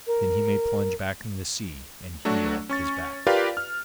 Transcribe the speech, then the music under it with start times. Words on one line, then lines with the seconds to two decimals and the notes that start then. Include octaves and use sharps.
Then he may plunge back into the sea and heal his back.'
0.07 A#4
2.25 F#3 A3 D4 F#4
2.69 C#4 C#6 A6
3.27 F4 G4 A#4 B4 D5 F5
3.57 F6